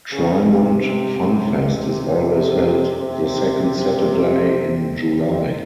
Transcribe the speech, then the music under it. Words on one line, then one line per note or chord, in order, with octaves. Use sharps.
Trimont FunFest is always held the second Saturday in July.
C#3
C3
C3
C3